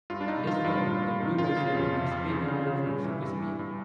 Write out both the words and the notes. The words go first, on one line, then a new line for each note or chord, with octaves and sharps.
In this film, the Blue Racer did not speak or move with super speed.
G2 F4
D4
G2 D#4
D#3 F4
G2
G2
G2
D#3
C#3 F4
C#3
F2
F2
F2
C#3
C#3
C#3
G2
E3
G2
E3
G2